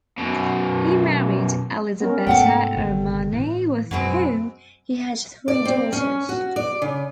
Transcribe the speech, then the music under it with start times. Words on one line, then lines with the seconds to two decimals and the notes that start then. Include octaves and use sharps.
He married Elisabetta Ermanni with whom he had three daughters.
0.18 F#2 B2
2.00 B3 C#4 A#4
2.27 G#2 C3 A3 B3 A4 F#5 G5
2.76 G1 C3 D#3
3.31 A2 E3
3.91 F#2 B2 G#3 C4
5.48 D5
5.65 C4
5.93 C#4
6.29 F#4
6.56 D5
6.82 C#3